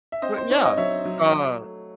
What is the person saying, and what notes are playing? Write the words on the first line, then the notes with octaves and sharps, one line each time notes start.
But yeah, uh
E5
C4 C5 D#5
C5
D#4 C#5
D#5
F#3 C#5 E5
F#3
F#3
A3